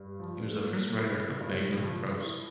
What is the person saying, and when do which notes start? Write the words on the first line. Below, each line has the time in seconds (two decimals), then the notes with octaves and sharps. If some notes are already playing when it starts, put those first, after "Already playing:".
He was the first writer of Bangla prose.
Already playing: G2
0.20 F3
0.60 A#3
1.01 E4
1.41 G2
1.82 F3
2.22 E4